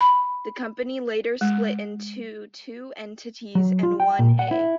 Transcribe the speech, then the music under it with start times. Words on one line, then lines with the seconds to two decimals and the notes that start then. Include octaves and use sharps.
The company later split into two entities and one-A.
0.01 B5
1.41 G#3
3.55 F#3
3.83 F4
4.00 G5
4.19 A#2
4.39 F#5
4.51 E4